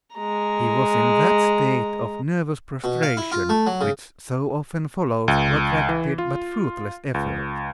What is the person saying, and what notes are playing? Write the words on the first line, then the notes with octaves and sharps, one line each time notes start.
He was in that state of nervous prostration which so often follows protracted but fruitless efforts.
G#3 A#5
B2
F5
E4
F4
A3
F#3
C#3
C#2
E3
F4
C#2